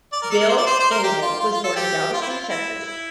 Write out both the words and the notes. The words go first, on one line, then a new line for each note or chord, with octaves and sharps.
Bill Engvall was born in Galveston, Texas.
D5
A#4
A4
A#4
C5
D5
C5
C5
A#4
G4
F4
F4
F4
A4
G4
F4
E4
F4
E4
E4